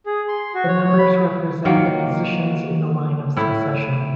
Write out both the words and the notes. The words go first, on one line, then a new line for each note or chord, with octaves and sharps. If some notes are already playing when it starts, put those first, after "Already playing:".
The numbers represent the positions in the line of succession.
G#4
C6
F#4
C#5
C#5
B5
D#3 F#3 A#3 F4
A2 E4